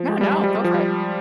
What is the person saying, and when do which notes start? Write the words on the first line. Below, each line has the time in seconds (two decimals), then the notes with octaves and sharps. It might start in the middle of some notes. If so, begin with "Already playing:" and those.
No, no, go for it.
Already playing: F3
0.09 G#3
0.21 G3
0.33 G3
0.44 G3
0.55 G3
0.64 F3
0.74 G3